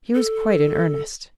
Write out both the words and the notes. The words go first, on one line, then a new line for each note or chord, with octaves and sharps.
"He was quite in earnest."
A4